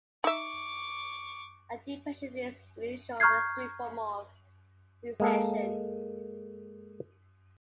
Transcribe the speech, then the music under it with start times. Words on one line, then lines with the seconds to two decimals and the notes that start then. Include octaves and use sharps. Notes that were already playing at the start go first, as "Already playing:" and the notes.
A depression is an unusual and extreme form of recession.
0.24 D#4 E5 C#6 D6
3.20 A#5 C#6 F6 G6 G#6 C7
5.20 G#3 A#3 A4